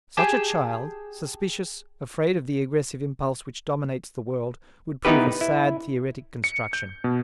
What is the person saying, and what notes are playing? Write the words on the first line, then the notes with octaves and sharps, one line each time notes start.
Such a child, suspicious, afraid of the aggressive impulse which dominates the world, would prove a sad theoretic construction.
G4 G#4 G5 A5
B3 D#4 E4 G4 B4
E4
C#7
G6
B2